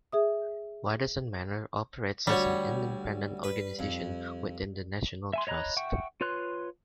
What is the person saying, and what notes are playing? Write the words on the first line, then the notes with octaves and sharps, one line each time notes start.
Waddesdon Manor operates as an independent organization within the National Trust.
G#4 E5 D#6
D2 G3 F#4 C#5
B4
F2
E5 G#5 C6
C#5 D#5 A#5 B5 F#6
E5 F#5 G5 C#6
F4 B4 C#5 C6 F#6